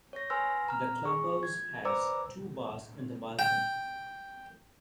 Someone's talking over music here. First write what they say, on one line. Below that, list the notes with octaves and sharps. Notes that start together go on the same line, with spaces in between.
The club house has two bars and a balcony.
C#5 A#6
B4 G#5 C6 E6 F6 A#6
A#5 F6
G#4 C#6
G#6
B4 C5 D5 A#5 D6 E6
G5